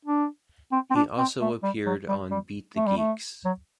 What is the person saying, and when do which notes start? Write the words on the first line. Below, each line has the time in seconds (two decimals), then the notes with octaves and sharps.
He also appeared on "Beat the Geeks".
0.05 D4
0.72 C4
0.90 C4
0.95 D4
1.18 C4
1.41 A3
1.63 G3
1.86 F#3
2.08 G3
2.31 G3
2.76 A3
2.87 G3
2.97 A3
3.45 F#3